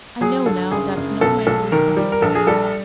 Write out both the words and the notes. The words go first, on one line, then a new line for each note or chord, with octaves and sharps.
'I know now that no man will suffer by me.
F#3 G#4
G1 A4
F#1 G#4
F#1
B1 A4
B1 A4
D#3 A#4
G3
A#4
A#1 A4
G#4
G3 A4